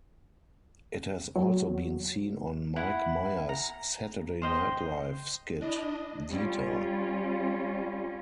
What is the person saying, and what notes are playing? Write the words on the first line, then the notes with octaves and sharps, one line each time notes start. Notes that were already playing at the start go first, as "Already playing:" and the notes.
It has also been seen on Mike Myers "Saturday Night Live" skit "Dieter".
F#3
E4 F#5
A#5
C5 D#5 G5
D4 E4 D#5
G3 C#4 F4